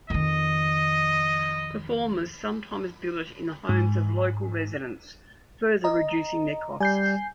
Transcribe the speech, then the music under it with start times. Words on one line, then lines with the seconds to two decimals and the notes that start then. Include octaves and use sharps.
Performers sometimes billet in the homes of local residents, further reducing their costs.
0.10 F2 D#3 D#5
3.69 G#2
5.84 D#5 A#5
6.80 G3 G#5 G6 C7